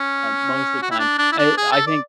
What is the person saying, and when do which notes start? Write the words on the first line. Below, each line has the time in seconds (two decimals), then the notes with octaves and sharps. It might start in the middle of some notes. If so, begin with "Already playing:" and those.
uh, most of the time. Eh, I think
Already playing: C#4
0.82 F#4
0.91 E4
0.99 D4
1.18 D4
1.32 E4
1.38 D4
1.58 G#4
1.72 A4
1.87 D5